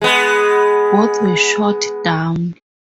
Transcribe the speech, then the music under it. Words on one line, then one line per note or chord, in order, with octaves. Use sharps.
Both were shot down.
G#3 B3